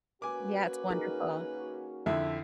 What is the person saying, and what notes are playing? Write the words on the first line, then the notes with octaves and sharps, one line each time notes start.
Yeah, it's wonderful.
A#3 C#4 F#4 B4 G#5 D6
D#4 G#4 A#4
F2 D3 E4 E5